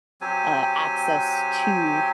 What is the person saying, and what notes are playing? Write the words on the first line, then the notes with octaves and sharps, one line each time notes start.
uh, access to
F#3 C4 G4 G#5